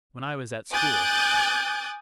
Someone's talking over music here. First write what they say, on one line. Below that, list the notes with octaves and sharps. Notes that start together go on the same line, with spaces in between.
When I was at school.
G#5 D6 D#6 F#6 G6 A6